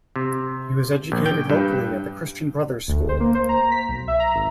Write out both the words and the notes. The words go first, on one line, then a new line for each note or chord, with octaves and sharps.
He was educated locally at the Christian Brothers School.
C3
A#1
G5
G2
D2
C5
A#3
C5
A#5
B6
B1
E5
A#5
G#1